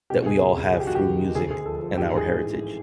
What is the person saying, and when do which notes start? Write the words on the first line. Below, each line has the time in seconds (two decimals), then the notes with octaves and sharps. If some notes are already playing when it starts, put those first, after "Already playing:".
that we all have through music and our heritage.
0.10 B2 G4
0.26 C#2 G#4
0.42 B2
0.57 C#2
0.73 F3 G#4
0.80 G4
0.87 D#2 F#4
0.95 G4
1.04 D#2
1.20 D#2
1.35 D2 G#4
1.50 D2 G#4
1.66 F3 A4
1.82 F3
1.98 G#2 G4
2.13 A1 G#4
2.29 A1
2.44 E3